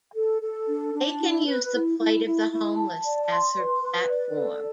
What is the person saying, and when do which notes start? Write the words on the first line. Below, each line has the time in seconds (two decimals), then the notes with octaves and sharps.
Aiken used the plight of the homeless as her platform.
0.14 A4
0.41 A4
0.67 D4
0.94 D4
1.19 E4
1.46 B4
1.73 E4
1.98 E4
2.25 E4
2.51 E4
2.77 A5
3.04 D5
3.30 C6
3.57 B4
3.83 B4
4.09 D5
4.36 A4